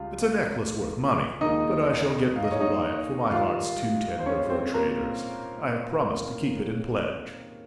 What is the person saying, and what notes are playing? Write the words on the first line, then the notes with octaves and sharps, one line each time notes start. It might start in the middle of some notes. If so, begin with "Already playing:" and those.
"It's a necklace worth money, but I shall get little by it, for my heart's too tender for a trader's; I have promised to keep it in pledge."
Already playing: C#2 C#3 G3 F4
D#2 D#3 G#3 D#4 D#5
F5
D#5
C#5
D#4 D#5
G#2 D#3 G3 F4 F5
C5
C#4 C#5
C4 C5
A#3 A#4